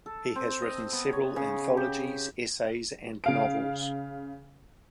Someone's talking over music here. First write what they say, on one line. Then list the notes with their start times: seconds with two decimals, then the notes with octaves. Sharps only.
He has written several anthologies, essays, and novels.
0.06 A4
0.36 C4
0.62 D#5
0.92 B3
1.13 C#5
1.36 C#3
1.77 G4
3.24 C#3 F5 D7